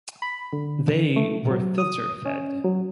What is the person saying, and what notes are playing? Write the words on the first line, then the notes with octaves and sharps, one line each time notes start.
They were filter fed.
B5
D3
A3
F#3
D#6
C#4
F#3